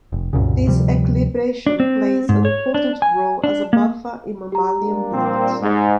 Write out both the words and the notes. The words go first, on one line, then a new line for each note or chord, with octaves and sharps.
This equilibration plays an important role as a buffer in mammalian blood.
F1
C2 F#2 A#2 C#3
D2 C3 F3 G3
D4
C4
G#2
C#5
D4
G#5
D4
A#3
G4 A#5
G3 A#3 D4
A#2 C4
G#2